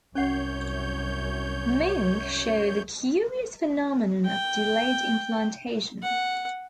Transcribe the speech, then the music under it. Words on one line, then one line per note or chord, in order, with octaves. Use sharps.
Mink show the curious phenomenon of delayed implantation.
C2 F#2 C#4 C#5 F#5 G6
G5
F#5